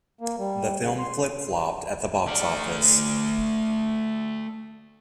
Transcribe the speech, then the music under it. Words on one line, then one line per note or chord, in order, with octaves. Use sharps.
The film flip flopped at the box office.
A#3
G3
C#3
C6
A3 D5